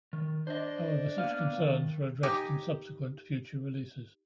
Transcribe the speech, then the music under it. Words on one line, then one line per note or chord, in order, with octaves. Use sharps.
However, such concerns were addressed in subsequent future releases.
D#3
D4 C5 D#5
A#3 B3 F5
D#3
D#4 G4 D#5 G#5